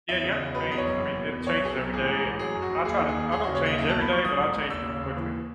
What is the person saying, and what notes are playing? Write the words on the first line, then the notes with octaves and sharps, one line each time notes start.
Yeah, you have to change, I mean, it changes every day, and I try to I don't change every day, but I change pretty quickly.
E2 E5
C#3
D#5
E2
F#3 B4
E2 D#5
C#5
F#1
E2
B2
E2
B1 C#5
B2 G#4
A4
B1
A1 G#4
G#2
A1
F#3 G#4
F#2
F#4
F#1
D#2 G#4
D#3
G#4
D#2
D#2 G#4
F#4
C#3
C#5
D#2 D#5
B1 E5
A5
B2
B5
B1 C#6
G#1 D#6
G#2
G#1
D#2 E6
C#3
D#2
E3